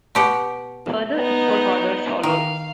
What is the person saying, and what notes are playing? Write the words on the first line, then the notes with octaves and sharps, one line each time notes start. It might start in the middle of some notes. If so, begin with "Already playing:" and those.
Further export orders followed.
B2 G4 F#5
B3 D#4
D#3 F5